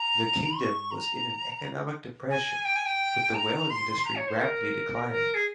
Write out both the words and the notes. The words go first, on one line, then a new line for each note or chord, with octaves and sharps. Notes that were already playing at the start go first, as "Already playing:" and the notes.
The Kingdom was in an economic depression, with the whaling industry rapidly declining.
Already playing: A#5
C#6
A#5
G#5
G5
G#5
G5
A#5
C6
A#5
C#5
C5
A#4
A#4
G#4